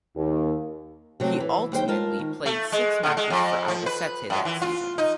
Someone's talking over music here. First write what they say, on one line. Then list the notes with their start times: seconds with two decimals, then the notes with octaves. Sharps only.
He ultimately played six matches for Albacete that season.
0.17 D#2
1.20 C3 F#3 G#3 A3 C4
1.40 E3
1.72 D#2 G3 C5 G5
1.88 G#3 F4 A#4 A5
2.19 D#3
2.46 A3
2.72 G#3
3.03 D3
3.17 G#3
3.30 F2
3.68 F3
3.86 B4
4.30 F#2
4.45 E3
4.62 F4
4.98 D#4